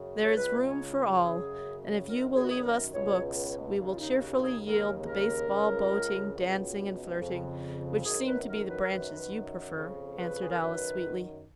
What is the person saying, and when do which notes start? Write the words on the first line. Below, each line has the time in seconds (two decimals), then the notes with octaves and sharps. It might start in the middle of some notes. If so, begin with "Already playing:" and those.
'There is room for all; and if you will leave us the books, we will cheerfully yield the baseball, boating, dancing, and flirting, which seem to be the branches you prefer,' answered Alice sweetly.
Already playing: F#2 C#3
0.23 C#5
0.37 C#2 C#3 B4
0.65 C#5
1.22 F#2 C#3 G#4
2.07 F#2 D#3 A#4
2.36 G#4
2.43 F#4
2.50 G#4
2.64 A#4
2.93 C#2 B2 C#5
3.78 D#2 C#3
3.93 F4
3.99 D#4
4.20 F#4
4.32 F#4
4.42 G#4
4.63 D#2 C#3 A#4
5.06 A#4
5.49 C#2 C#3
6.34 C#2 B2
7.19 F2 C#3
8.04 F#2 D#3 G#4
8.26 B4
8.47 A#4
8.68 B4
8.82 A#4
8.90 F#2 D#3 B4
9.75 F2 C#3
10.17 B4
10.41 G#4
10.51 A#4
10.60 F#2 D#3 B4